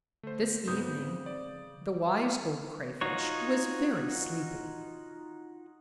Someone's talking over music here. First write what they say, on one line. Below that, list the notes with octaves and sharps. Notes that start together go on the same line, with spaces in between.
This evening the Wise Old Crayfish was very sleepy.
D3 A3 C5
G#2 C#3 B3 C4 D#6 G6
D5
D#4 F4 F#4 C#5